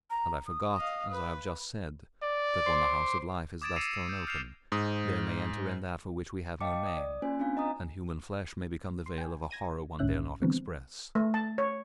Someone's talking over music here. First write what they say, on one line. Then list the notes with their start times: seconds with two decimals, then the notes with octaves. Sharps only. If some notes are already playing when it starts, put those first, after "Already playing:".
And I forgot, as I have just said, that when the house of life is thus thrown open, there may enter in that for which we have no name, and human flesh may become the veil of a horror one dare not express.
0.10 A#5
0.46 D#6
0.76 D#5 F5
1.09 B4
2.23 D5
2.66 C5 C6 D6
3.62 D6 D#6 G#6 A6 D7 E7
3.76 E6 A#6 C7 C#7 D#7 F7
4.09 G6
4.27 F6 G6 C7 C#7 E7 F7
4.72 G#2 D#6
6.60 D#5 F5 G5 A5 D6 C#7
6.86 D#6
6.97 D5
7.22 A#3 C#4 F4 C5 G#5
7.39 C4 D4 F4 F5 G#5
7.57 D#5 A#5 D#6
9.06 C6
9.18 G5 G#5
9.51 G#6 A#6 D#7
9.99 B1 G#2 D3 C#4 E5 F#6
10.42 D3 E3 F3 G3 B3 C4
11.15 A3
11.34 A5
11.58 C#5